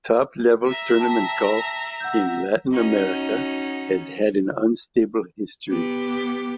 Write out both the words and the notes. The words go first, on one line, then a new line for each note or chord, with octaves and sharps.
Top level tournament golf in Latin America has had an unstable history.
E5 A#5
G5 A5 B6
F#5 E6 G6
C#4 D#4 F#4
B3 G4